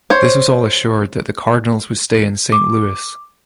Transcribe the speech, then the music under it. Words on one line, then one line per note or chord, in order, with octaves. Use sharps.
This all but assured that the Cardinals would stay in Saint Louis.
C5 C#5
D6